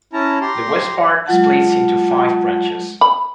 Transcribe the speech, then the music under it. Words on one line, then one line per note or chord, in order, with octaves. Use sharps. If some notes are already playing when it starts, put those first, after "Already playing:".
The west part splits into five branches.
C#4 E4 A5 A#5
G4 A#5 C6
F#3 G#3 F4 F#5 A5
B5